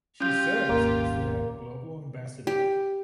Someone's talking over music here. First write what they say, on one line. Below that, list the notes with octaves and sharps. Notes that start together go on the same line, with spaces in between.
She serves as their Global Ambassador.
C#4 F4 G4 G6
D#1 G#1 A#3
G4